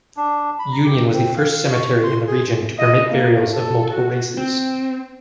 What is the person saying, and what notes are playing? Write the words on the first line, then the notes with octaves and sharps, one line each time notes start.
Union was the first cemetery in the region to permit burials of multiple races.
D4
B5
A#5
G4
C4
F5
C#6
C6
G#4
D#5
A#3
A4
F#4
C4